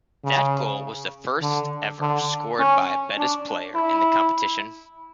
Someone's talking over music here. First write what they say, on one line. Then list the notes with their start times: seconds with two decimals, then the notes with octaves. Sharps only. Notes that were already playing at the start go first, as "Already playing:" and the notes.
That goal was the first ever scored by a Betis player in the competition.
0.24 C#3
1.42 D3
2.01 D3
2.59 C#4
3.18 D4
3.75 E4